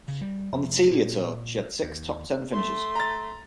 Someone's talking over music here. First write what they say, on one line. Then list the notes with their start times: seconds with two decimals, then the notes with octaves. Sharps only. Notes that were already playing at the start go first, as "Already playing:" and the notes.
On the Telia tour she had six top ten finishes.
0.08 C#3
0.21 G3
0.52 F1
0.91 A#2
1.83 D#2
2.52 A3 C6
2.95 A#5 A6